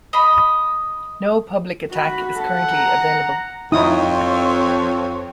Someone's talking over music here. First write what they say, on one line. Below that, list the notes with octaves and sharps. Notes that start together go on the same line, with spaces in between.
No public attack is currently available.
D#5 B5
F#4 B5
A4 F#5
A#5
F2 C4 D#4 E4 C#5 D#6